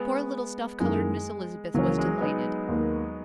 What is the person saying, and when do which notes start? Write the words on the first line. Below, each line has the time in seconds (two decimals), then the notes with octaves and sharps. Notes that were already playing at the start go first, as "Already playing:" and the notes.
Poor little snuff-colored Miss Elizabeth was delighted.
Already playing: G#3 B3
0.80 F#2 D#3 F#3 G#3 A#3 E4
1.74 C#2 C#3 E3 F#3 A#3 C#4
1.98 G#3
2.21 B3 D#4
2.68 D#2 D#3 A#3